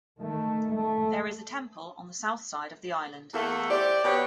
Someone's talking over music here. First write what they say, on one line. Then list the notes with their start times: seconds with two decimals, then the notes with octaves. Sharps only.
There is a temple on the south side of the island.
0.20 D#3 A3
0.75 A3
3.34 E2 A3 A#3 A4
3.71 G4 C5 D5
4.05 B2 F#3 G4 B4 C#5